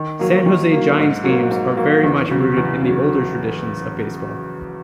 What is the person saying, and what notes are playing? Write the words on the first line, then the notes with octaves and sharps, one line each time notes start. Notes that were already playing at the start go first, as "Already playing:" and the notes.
San Jose Giants games are very much rooted in the older traditions of baseball.
Already playing: D#3
F#3 A#3
D#3
F#3 A#3
G#2
F#3 A#3
G#2
F#3 A#3
E2
C#3 F#3
E2
C#3 F#3